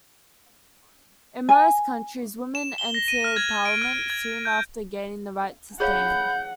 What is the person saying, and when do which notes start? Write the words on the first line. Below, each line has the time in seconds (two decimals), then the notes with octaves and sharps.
In most countries, women entered parliament soon after gaining the right to stand.
1.49 G#5
2.55 E7
2.78 G7
2.94 A#6
3.08 D#7
3.24 F6
3.36 G#6
3.65 D7
3.82 F6
4.10 G#6
4.45 G6
5.80 G#4 C#5 F5 F#5 B5 G6